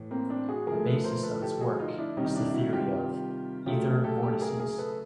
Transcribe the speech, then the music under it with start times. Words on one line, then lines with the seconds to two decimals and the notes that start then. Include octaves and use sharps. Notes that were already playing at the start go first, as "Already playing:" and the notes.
The basis of his work is the theory of "ether vortices".
Already playing: A2 E3
0.11 A#3 C4
0.30 C4 D4
0.49 F#4 G#4
0.67 D3 F3 A3 G#4 A#4
0.86 A4 B4
1.04 A#4 C5
1.23 A4 B4
1.42 G4 A4
1.61 F#4 G#4
1.79 D#4 F4
1.98 D4 E4
2.17 C3 D#3 G3 C#4 D#4
2.36 D4 E4
2.54 E4 F#4
2.73 F4 G4
3.66 C#3 F#3 A3 F4 G4
4.04 G4 A4
4.23 G4 A4
4.41 G#4 A#4
4.60 G#4 A#4
4.78 A4 B4